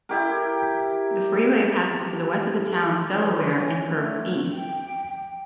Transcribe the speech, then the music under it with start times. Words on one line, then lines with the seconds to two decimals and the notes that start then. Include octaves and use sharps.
The freeway passes to the west of the town of Delaware and curves east.
0.09 E4 G4 A#4
3.10 E3 C#4
3.92 A3
4.53 G5